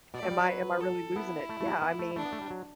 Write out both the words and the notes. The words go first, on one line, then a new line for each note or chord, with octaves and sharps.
Am I am I really losing it? Yeah, I mean,
B2 D5
A3
G3
F#3
B4
A4
B3 E4
A3
A3
F#3
G3
B3
A3
A3 D4
B3
A3
G3
F#3